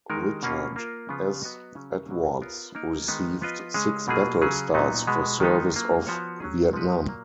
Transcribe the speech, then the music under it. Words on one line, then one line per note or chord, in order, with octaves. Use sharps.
Richard S. Edwards received six battle stars for service off Vietnam.
D#3 G#3 D#4 A#4
B2 A#3 C#4 F4
A#3 F4 A#4
C#3 F3 B3 F4 G#4
F#3 B3 F#4 B4 D#5
C#3 F#3 C#4
B2 F#3 A#3
B3 F4 A#4 C#5
A#3 D#4 A#4
D#3 G#3 B3 D#4
F3 B3 F4 B4 D#5
C#3 G#3 C#4 G#4
B2 F#3 A#3 F4 G#4
C#3 F#3 C#4 G#4
A#2 F#3 B3 D#4
B2 G#3 B3
D#3 G#3 B3 D#4
F#3 A#3 F4
F3 B3 F#4 C#5
F#3 C#4 G#4
F3 G#3 B3 F#4 B4
A#2 F#3 A#3